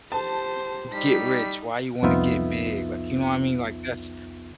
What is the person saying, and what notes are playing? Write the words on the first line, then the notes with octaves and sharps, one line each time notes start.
get rich, why you wanna get big. Like, you know what I mean? Like, that's
G4 C5 A5
G3 D#4 B6
C2 F2 B3 D#4 F4 E5